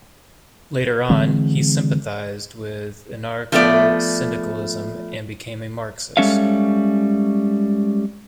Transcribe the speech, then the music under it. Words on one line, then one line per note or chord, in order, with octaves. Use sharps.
Later on, he sympathised with Anarcho-Syndicalism and became a Marxist.
D3 E3 G#3 C4
F3 A3 B3 D5
G3 G#3 C#4 A4 E5 F5